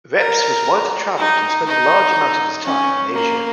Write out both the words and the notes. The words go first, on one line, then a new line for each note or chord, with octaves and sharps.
Reps was widely travelled and spent a large amount of his time in Asia.
A#4
D#4
D#4
C#4
A#3